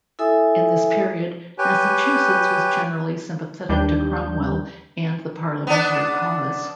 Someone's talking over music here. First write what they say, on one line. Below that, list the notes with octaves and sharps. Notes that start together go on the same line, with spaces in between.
In this period, Massachusetts was generally sympathetic to Cromwell and the Parliamentary cause.
E4 A4 E5 G#5 D#6
G4 B4 C#5 G5 G#5
D#2 G3 D4 G6
B3 D4